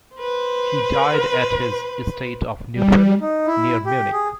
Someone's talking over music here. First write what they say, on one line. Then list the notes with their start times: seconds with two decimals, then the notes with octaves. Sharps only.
He died at his estate of Neufreimann, near Munich.
0.16 B4 C5
2.74 G3
3.20 D#4
3.47 E4
3.86 G4
4.12 G#4